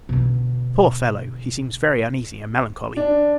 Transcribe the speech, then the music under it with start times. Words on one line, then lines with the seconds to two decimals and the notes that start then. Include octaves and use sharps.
Poor fellow! he seems very uneasy and melancholy.
0.09 B2 D3
2.97 D4